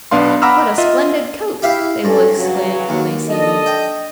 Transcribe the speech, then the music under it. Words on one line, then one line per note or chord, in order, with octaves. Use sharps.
"What a splendid coat!" they will exclaim when they see me.
B1 B3 D4 F5 C6
F#5 A#5 B5 D6 E6 F6
F4 D#5 E5
E4 G4 E5 F5
G2 C#4 A4
C#3 E3 F#3
D#2
D4 A4 D#5
G5